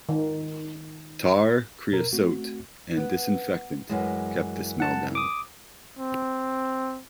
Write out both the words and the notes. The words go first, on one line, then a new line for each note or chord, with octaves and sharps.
Tar, creosote, and disinfectant kept the smell down.
D#3
B2 A#4
A3 C4 F#4
B3
F#2 E3 G#3
F#5 A5
D6 D#6
C4